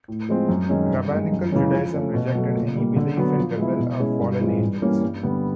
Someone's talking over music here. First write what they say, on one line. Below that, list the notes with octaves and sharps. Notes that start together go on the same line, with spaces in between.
Rabbinical Judaism rejected any belief in rebel or fallen angels.
A2
F3 G#3 C4
F#2
D#3 G#3 C#4
G2
D#3 G#3
F#2
C#3 E3 G#3 C#4
F3
A3 C#4
B2
F#3 A3
A#2
G3 A#3
D3
F#3 B3
F3
G#3 B3 E4
B2
G#3 C#4 E4 G#4
G2
E3 G#3 C4 F4
G2
E3 G3 A#3 C#4
G2
D3 G3 B3